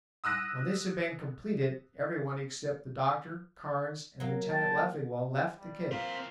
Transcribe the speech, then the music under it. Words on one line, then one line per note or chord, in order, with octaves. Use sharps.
When this had been completed, everyone except the doctor, Carnes, and Lieutenant Leffingwell left the cave.
D#6 E6 F#6 A#6 D#7
F#3 A#3
G5 A5
G3
E3 A#3 C4 F4 B6